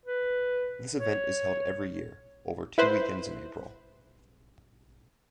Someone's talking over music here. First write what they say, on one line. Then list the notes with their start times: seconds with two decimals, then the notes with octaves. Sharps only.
This event is held every year, over two weekends in April.
0.05 B4
0.98 C#5
2.78 E4 B4 C5